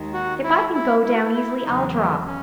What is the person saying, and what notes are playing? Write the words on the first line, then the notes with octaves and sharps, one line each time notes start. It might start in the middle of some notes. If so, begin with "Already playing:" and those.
If I can go down easily, I'll drop.
Already playing: D#2 D#3 G#3
F#4
E4
E4
E4
F#4
E4
E4
E4
E2 C#3 F#3 D#4
B3
C#4